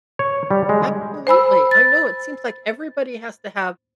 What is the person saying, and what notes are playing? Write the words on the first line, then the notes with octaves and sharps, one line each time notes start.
Absolutely. I know, it seems like everybody has to have,
C#5
G3
G#3
C5 G#5 B5 E6
A6